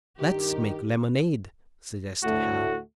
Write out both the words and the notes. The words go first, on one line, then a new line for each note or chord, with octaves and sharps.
"Let's make lemonade," suggested Hal.
G2 D#3 G4
D2 A2 A3 F#4